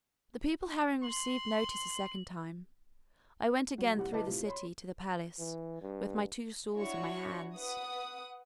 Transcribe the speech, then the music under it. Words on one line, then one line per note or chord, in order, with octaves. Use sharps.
The people having received notice a second time, I went again through the city to the palace with my two stools in my hands.
C6 F#7
F#3
A2 C3 G3 F#5
C#2 E4 B4 D#5 A5 D6
A2 C3 F4
C#5 B5 C6
E3
G2
D4 E4 F#4 C#5 C#6
B4 F#5 D#6